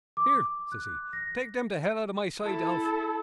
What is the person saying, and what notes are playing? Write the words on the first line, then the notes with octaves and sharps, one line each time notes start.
Here, says he, take them to hell out of my sight, Alf.
D6
F#6
A#6
E4 A4